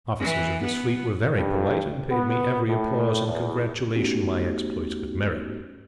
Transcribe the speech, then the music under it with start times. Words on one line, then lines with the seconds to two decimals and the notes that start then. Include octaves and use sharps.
The officers of this fleet were very polite, and paid me every applause and congratulation my exploits could merit.
0.20 E3
0.63 B3
1.34 G2
2.10 B3
2.67 A2
3.27 E2
3.95 A3 B3 C#4 D#4 F#4 G4